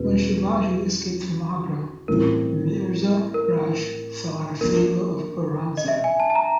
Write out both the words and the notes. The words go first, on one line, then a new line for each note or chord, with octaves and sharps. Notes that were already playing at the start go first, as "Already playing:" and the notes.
When Shivaji escaped from Agra, Mirza Raje fell out of favour of Aurangzeb.
Already playing: E2 B2 G#3 C#4 B4
A2 E3 G3 C4 E4 A#4
A#4
F3 A#3 D4 A#4
D#5
E5
G#5
A5
A5
A#5